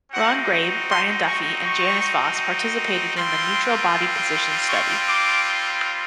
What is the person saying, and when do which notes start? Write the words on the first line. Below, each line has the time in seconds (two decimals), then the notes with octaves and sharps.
Ron Grabe, Brian Duffy and Janice Voss participated in the Neutral Body Position study.
0.12 C4 D#4 F#4 F#5
0.88 C6
1.26 C#6
1.64 C#6
3.16 G3 C4 F4 C6
4.67 C#6
5.06 D6